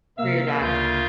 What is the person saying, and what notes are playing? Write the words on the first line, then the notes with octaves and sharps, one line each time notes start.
For your dad.
C3 A#3 E5 F5 E6
D2 C#3 F4 G6